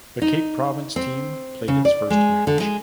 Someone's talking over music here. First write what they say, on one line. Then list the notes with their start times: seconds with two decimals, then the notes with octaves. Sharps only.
The Cape Province team played its first match.
0.22 D#4
0.96 C4
1.68 C#3
1.85 D5
2.10 G#3
2.47 D3
2.60 G#3